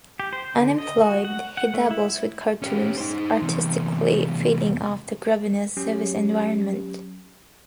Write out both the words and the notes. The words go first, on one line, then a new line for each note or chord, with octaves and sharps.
Unemployed, he dabbles with cartoons, artistically feeding off the grubbiness of his environment.
G4
C5
D3
D#5
F#4
F#5
F#5
A3
E4
E4
C#4 G4
D#4 C5
E2 C3
F#3 C#4 G4